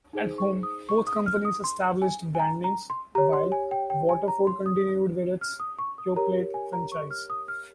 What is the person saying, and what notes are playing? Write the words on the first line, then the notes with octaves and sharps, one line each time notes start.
At home, both companies established brand names, while Waterford continued with its Yoplait franchise.
D#4 G#4 C5
C#6
D#6
C#6
D#6
F6
D#6
C6
G#5
G#5
A#5
A#5
C6
G4 C#5 A#5
C6
G#5
G5
G5
G#5
A#5
C6
D#6
F6
D#6
C#6
D#6
G4 A#4 C#5 A#5
G#5
A#5
C#6
F6
D#6
F6